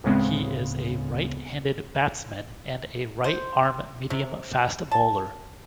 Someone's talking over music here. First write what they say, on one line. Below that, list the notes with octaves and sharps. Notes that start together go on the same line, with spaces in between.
He is a right-handed batsman and a right-arm medium-fast bowler.
D2 A2 C#3 G#3 B3 C4
C5
C3
A5